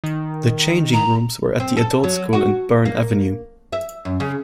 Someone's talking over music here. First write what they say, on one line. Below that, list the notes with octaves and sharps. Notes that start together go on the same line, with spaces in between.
The changing rooms were at the Adult School in Bourne Avenue.
D#3
A#5
C4
A4
F#3
F#4
A#3
E5
F#2
C#3